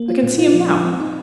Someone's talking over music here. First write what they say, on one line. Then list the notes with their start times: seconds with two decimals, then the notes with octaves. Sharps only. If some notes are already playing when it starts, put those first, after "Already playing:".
I can see him now.
Already playing: A#3
0.08 F4
0.23 A#2
0.39 F4
0.54 F3
0.70 F3
0.85 C4
1.00 D#4